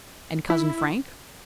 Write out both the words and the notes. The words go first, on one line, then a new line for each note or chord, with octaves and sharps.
"And cousin Frank?"
E4